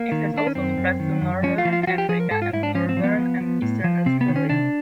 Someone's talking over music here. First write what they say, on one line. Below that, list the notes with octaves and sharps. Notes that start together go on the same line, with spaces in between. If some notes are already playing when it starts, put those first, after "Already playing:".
It has also spread to Northern Africa and Northern and Eastern Australia.
Already playing: A#3
D#3
D#3 D4
C#4
F#2 C4
F#2
D#3
F#2
F3 C#4
F4
F3
F4
F4
F3 F#4
G4
F3 G#4
A#4
G#2 A4
F4
G#2 E4
D4
F3 C#4
C4
F3
B3
F3
F3
A2
F3
C3 C4
B3
D#3
C#4
C3 D4